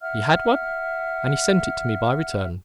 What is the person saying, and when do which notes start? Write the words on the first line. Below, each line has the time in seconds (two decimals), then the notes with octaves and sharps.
He had one, and he sent it to me by return.
0.01 E5 F#5 F6